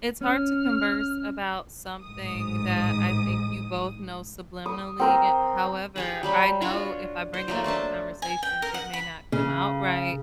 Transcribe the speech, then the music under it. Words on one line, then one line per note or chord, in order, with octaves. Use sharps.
It's hard to converse about something that I think you both know subliminally, eh, however, I know if I bring it up in conversation, it may not come out right.
C#4 F6
A1 G#2 D#6
D#6
C4 A#4 C5
G4 G#4 B4
F#3 G3 B5
D4 F4 F#4 C#5
C5
F#3 A3 A#3
D4 C5 E5 A5
G#5
G5
A#4
F#5
B5
C#3